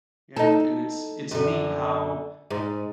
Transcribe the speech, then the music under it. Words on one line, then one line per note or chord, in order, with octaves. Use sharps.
Yeah, and it's it's neat how
D#4 A4
F#2 D3
G#2